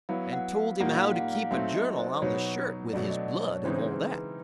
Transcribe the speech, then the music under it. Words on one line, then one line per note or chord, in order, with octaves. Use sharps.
And told him how to keep a journal on the shirt with his blood, and all that.
F#3 B3 E4 F5
F#5
F5
A#2 G3 A#3 D#4 F#5
F5
F#5
F5
F#3 A3 C4 D#4 E5
D#5
C5
B2 F#3 B3 D#4 C#5
B2 F#3 A3 D4 D5
D#5
D5
C#5
C#3 E3 G#3 C4 D#4 C5
B4
B4